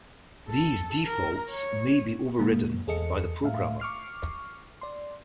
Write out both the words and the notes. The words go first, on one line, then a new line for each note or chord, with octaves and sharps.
These defaults may be overridden by the programmer.
A4
A#4
C#5
A#2 D3 G#3 A#3
E2 G#4 A4 D#5 C#7
A2 E5 F5
C#6 D6 F6 C7
D5 C6